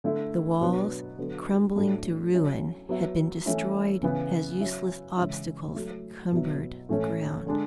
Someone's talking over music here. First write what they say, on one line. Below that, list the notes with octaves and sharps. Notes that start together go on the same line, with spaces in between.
The walls, crumbling to ruin, had been destroyed as useless obstacles that cumbered the ground.
D3 A3 E4
B2 F#3 B3 D4
D3 F#3 B3
A2 F#3 A3 D4
F#3 C#4 E4
F#3 B3 E4
E3 A3 C#4 E4
C#3 E3 B3
F#3 C#4 E4
C#3 E3 G#3 C#4 E4
F#3 A3 E4
B2 F#3 B3 E4
A2 E3 A3 C#4
D3 G#3 D4